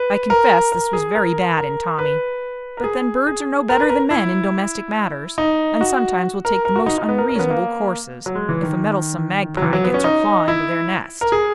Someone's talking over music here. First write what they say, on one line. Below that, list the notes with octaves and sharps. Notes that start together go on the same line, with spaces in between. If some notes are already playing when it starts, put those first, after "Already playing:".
I confess this was very bad in Tommy; but then birds are no better than men in domestic matters, and sometimes will take the most unreasonable courses, if a meddlesome Magpie gets her claw into their nest.
Already playing: B4
A#4
A#4
G#4
A#4
A#4
B4
A#4
G#4
G#4
A#4
B4
A#4
E4
D#4
F#4
A#4
A#4
F#4
D#4
D#4
B3
A#4
A#4
C#4
B3
A#3
F#3
G#3
E3
D#3
F#3
E3
F#3
B3
C#4
D#4
E4
A#4
G#4